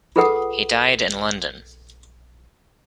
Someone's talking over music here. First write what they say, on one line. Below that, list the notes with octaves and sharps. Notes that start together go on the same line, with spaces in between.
He died in London.
F4 G#4 A4 B4 F#5 D#6